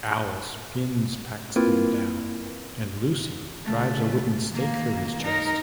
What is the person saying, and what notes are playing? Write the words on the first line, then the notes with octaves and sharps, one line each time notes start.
Alice pins Paxton down and Lucy drives a wooden stake through his chest.
A#3 C4 E4 F4 A#4 B4
C#3 A3
D#3 A#3
D#4 A#4